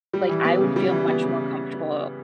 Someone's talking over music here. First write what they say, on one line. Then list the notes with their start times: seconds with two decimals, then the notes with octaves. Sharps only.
like, I would feel much more comfortable
0.13 G3
0.29 E3
0.45 B3
0.61 C#3
0.76 G3
0.91 E3
1.07 B3
1.23 C#3